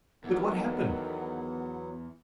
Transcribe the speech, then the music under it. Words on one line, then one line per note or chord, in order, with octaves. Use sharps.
'But what happened?
E2 D#3 F#3 B3 A4 F#5